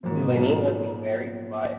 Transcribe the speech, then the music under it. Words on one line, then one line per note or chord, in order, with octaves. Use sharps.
Delaney has been married twice.
G#2 F3 F#3 A#3 F4
D#3
C#3
B2
G#2 F#3 B3 F4
A#2 F3 B3